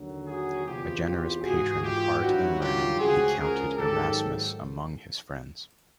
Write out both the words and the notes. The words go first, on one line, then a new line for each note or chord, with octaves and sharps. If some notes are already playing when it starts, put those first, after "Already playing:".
A generous patron of art and learning, he counted Erasmus among his friends.
Already playing: D#2 D3 F#3
F#4 G#4
E2 C3 E3 F4 G4
F4 G4
G#2 E3 F#4 G#4
F4 G4
G2 D#3 F#3 E4 F#4
F4 G4
C#2 C#3 F3 F#4 G#4
G#4 A#4
G#2 D#3 F#3 G4 A4